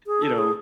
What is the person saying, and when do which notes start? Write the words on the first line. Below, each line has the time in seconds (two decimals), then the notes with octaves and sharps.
you know,
0.07 G#4
0.22 A4
0.38 G#4